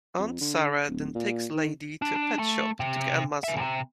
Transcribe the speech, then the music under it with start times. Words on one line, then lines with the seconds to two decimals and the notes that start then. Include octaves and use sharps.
Aunt Sarah then takes Lady to a pet shop to get a muzzle.
0.19 F2
0.41 D3
0.89 D1
1.15 A#2
1.55 D#3
2.02 D4
2.16 D4
2.39 A3
2.80 C3
3.44 C#3 E5
3.57 E2 C3